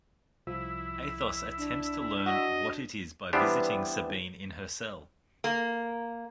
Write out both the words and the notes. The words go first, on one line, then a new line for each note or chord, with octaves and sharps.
Athos attempts to learn what it is by visiting Sabine in her cell.
C2 F3 E4
D4
F#4 D#5
E3 G3 B3 D4 G4 C5
A#3